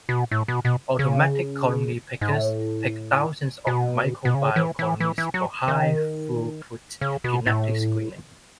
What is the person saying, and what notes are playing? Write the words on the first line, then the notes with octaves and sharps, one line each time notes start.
Automatic colony pickers pick thousands of microbial colonies for high throughput genetic screening.
B2
A2
B2
B2
C#3
G#2
A2
B2
B2
C#3
E3
E3
E3
E3
F#3
D#3
C#3
B2
A2